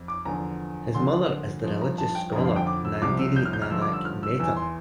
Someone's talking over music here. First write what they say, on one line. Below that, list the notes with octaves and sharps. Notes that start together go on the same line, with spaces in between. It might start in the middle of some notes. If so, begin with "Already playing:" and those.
His mother is the religious scholar Nandini Nanak Mehta.
Already playing: F2
D6
E2 D3 F3 A#5
D2 D3 F3 C6
G2 F3
A#5
A5
G5
F2 D3 F3 A#5
F5
G5
D6
E6
C2 C3 F3 D6
E6
G6
F6
G6
F6
G2 D3 F3 E6
D6
E6
F6
E6
E2 E3 E6
C6